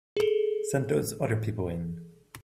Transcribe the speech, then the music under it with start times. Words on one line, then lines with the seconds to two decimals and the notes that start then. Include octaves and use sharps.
Send those other people in.
0.17 G#4 A4